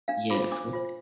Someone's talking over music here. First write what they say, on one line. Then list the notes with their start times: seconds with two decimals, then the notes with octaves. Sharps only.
Yes, wi t
0.08 D4 F5
0.30 F4 C5 D6
0.51 D4 D6
0.73 F4 C5